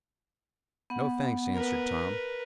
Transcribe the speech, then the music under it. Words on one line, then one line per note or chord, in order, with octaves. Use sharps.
"No, thanks," answered Tom.
B3 F#5
A#4 B4